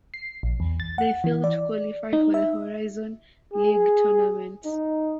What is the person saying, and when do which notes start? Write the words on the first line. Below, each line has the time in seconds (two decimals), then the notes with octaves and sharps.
They failed to qualify for the Horizon League Tournament.
0.14 C7
0.43 A#1
0.60 E2
0.80 A6
0.98 F#5
1.24 E3
1.44 D5
2.13 D#4
2.34 E5
3.54 G#4
4.65 D#4